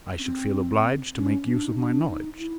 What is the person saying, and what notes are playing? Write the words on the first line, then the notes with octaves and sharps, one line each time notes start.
I should feel obliged to make use of my knowledge.
C#4
C4
C#4
D4
D#4
D4
D#4
E4